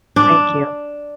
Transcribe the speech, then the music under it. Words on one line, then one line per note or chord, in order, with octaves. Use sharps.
Thank you.
D4